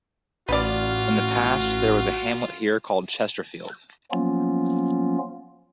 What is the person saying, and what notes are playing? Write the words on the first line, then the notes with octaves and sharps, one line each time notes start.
In the past there was a hamlet here called Chesterfield.
A1 F4 F#4 B4 D5 F6
F3 F#3 A#3 B3 C#4 F4